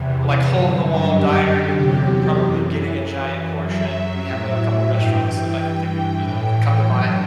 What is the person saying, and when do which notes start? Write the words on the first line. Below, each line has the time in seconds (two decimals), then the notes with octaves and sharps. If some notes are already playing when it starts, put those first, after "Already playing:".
like, hole-in-the-wall diner, you're you're probably getting a giant portion. We have a couple restaurants that I can think it you know, that come to mind
Already playing: E2 C3 E3
0.45 G2 D3 F#3
1.08 F#2 D3 F#3 G4
1.73 E2 C3 F#3
2.36 F#2 E3
2.99 F#2 E3
3.63 F#2 F#3 E5
4.27 A2 F#3
4.91 G2 E3 G5
5.55 G2 E3
6.18 A2 E3
6.81 G2 F#3 G5